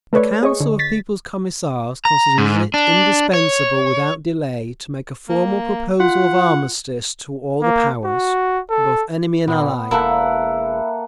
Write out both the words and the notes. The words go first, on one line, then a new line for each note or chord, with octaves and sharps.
The Council of People's Commissars considers it indispensable without delay to make a formal proposal of armistice to all the powers, both enemy and Allied.
A3 A4 B4 C#5 D5
G#4 C#5 D#5 C#6
D3
A6 B6
A#5
G#2
D4
C#5
A#3
F4 F#5
A#3
F#4
A4
A#2 B3
E1 A#3 E4 A4 F#5